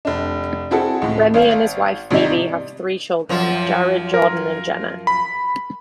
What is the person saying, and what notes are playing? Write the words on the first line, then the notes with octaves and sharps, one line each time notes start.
Remy and his wife Phoebe have three children, Jared, Jordan, and Jenna.
F1 D4
C4 E4 F#4 G#4 A4
C#2 A2
G#1 F5
G#1 C3 D#4 E4 D5
F#2 F3 F4
A#4
B5